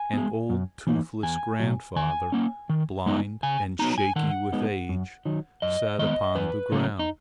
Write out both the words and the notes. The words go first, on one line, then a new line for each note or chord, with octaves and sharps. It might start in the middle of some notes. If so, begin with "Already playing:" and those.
An old toothless grandfather, blind and shaky with age, sat upon the ground.
Already playing: G#5
G#3 B3
F#2
E3 A#3 D#4
E2 G#5
B2 F#3
D#3 G#5
A#3 C#4
D#3
G#3 B3 D#4
C#3 G#5
F#3 B3 D#4 A#5
A#5
G#5
D#3 F#5
G#3 B3 D#4
F#2
D#3 F#3
F#2 D#5
D#3 G#3 B3 D#5
E2 B4
C#3 F#3 A#3 C#4
D#4